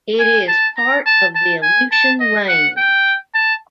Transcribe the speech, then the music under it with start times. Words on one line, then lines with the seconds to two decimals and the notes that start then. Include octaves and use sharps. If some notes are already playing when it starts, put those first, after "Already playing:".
It is part of the Aleutian Range.
0.19 G#5
0.48 A5
0.77 A#5
1.06 A5
1.35 A5
1.62 G#5
1.92 A5
2.20 D#5
2.48 F#5
2.77 G5
3.34 A5